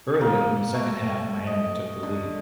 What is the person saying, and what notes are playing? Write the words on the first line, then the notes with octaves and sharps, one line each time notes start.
Early in the second half Miami took the lead.
A#3
A3
D#5
D3